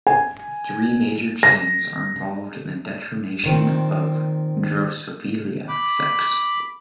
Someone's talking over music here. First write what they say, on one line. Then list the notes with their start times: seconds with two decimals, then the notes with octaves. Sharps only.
Three major genes are involved in determination of "Drosophila" sex.
0.07 G#5
1.43 A#6
3.44 A#2 D#3 C4
5.69 B5 D6